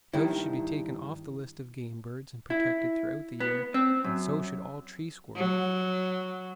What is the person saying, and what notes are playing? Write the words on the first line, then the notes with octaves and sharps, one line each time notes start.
Doves should be taken off the list of game birds, and protected throughout the year; and so should all tree squirrels.
G2 D#3 E4
E4
B3
C4
F#2
F#3